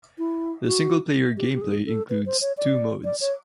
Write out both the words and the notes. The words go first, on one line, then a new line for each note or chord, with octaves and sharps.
The single-player game play includes two modes.
E4
F#4
G4
G4
G#4
A4
B4
C5
C#5
D5
D5
C#5